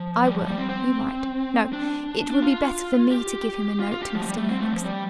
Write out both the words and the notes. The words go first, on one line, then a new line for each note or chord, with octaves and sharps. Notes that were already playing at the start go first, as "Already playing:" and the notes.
I will--you might--no! it would be better for me to give him a note to Mr. Lennox.
Already playing: F3
G3
F3
G3
C4
C4
D4
D4
F4
G4
F4
F4
G4
F3
A3
G3
A3
C4
A3
F3
G3